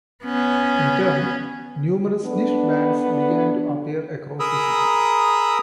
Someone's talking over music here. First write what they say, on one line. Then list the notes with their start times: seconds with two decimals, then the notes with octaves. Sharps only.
In turn, numerous niche bands began to appear across the city.
0.24 B3 C#4
2.25 B3 D4 A4
4.40 G#4 A#4 A#5 B5 D#6 E6